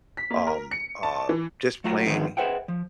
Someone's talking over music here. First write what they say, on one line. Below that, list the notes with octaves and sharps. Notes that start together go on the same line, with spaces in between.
um, uh, just playing
B6
A#3
A#4
C#7
A5
E3
F#3 A3 F4 A#5
D3 D#3 F3 G#3 B3 D#4
G#4 B4 C5 E5 F#5 G5
F3